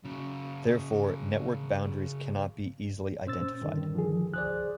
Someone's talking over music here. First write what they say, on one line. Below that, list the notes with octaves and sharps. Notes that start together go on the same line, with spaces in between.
Therefore, network boundaries cannot be easily identified.
C#3 F#3
A#2 C#4 C5 E6 A6
G2 D3 D#3
F3 G#4
C#2 G#4 C5 D5 F#6